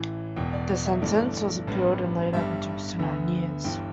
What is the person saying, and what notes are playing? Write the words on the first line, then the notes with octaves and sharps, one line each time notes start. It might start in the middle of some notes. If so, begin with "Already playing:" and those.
The sentence was appealed and later reduced to nine years.
Already playing: A1 A2 E3
E1 E2 B2 G5
D5
E5
G1 G2 E3 A3 D5
A1 G2 G3 B3
G1 G2 G3 E5
D2 D3 B3
G1 G2 E3 G5